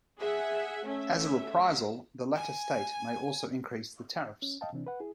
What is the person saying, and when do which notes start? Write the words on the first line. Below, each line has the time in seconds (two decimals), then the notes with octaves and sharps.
As a reprisal, the latter state may also increase the tariffs.
0.19 G#4 E5 F#5 G#5
0.87 A3 C#4 E5
2.36 G#5
4.42 C#4
4.61 D#5 F5 G5 A5
4.73 C3 E3 C4 D4
4.87 B4 F#5
5.00 E4 G#4